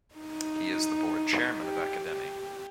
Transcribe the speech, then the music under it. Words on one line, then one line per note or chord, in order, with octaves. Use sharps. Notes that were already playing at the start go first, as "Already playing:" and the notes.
He is the board chairman of Academi.
D#4
G4
G4